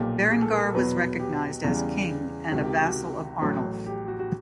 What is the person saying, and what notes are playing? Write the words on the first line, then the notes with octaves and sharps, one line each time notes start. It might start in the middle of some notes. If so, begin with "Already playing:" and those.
Berengar was recognised as king and a vassal of Arnulf.
Already playing: B1 A#2 F3 G4
G#4
A4
A#4
E2 B2 F#3 B4
G4
E2 C#3 E3 G3
C#2 C3 D#3 F#4
G4
G4
F#4
A1 A2 F#3
G4
F#4
F#4